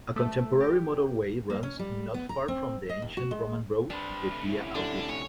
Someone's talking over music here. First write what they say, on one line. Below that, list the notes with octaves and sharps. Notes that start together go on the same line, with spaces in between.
A contemporary motorway runs not far from the ancient Roman road, the "Via Augusta".
A3
G4
A#3
C#4
G3
B3
A#5
C4
D#5
D#2
F#4
G#3
G3 D4 B4 C5 B5 F6
C3 A3
C#4 E4
D3 D4
C#5 G#5